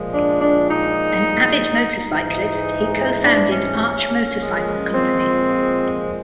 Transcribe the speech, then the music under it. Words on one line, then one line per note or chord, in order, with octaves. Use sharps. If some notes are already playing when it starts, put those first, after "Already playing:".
An avid motorcyclist, he co-founded Arch Motorcycle Company.
Already playing: A#2 F3 G#3
D4
D4
D#4
G#2 E3 G#3 D#4
D4
C#4
A#2 F3 G#3
C4